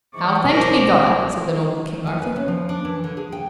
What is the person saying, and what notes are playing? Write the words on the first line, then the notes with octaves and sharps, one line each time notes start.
NOW thanked be God, said the noble King Arthur.
G#2 E3 C#6 D6
F#2 B2 A#4 C5
G#5
B4
C#3
F3
D4
E3
D3
G#4
G5